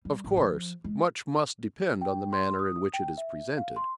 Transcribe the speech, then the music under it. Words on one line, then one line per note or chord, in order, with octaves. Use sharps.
Of course much must depend on the manner in which it is presented.
G3
A1
F3
G#3
G5
C6
D#6
G5
E5
F5
C6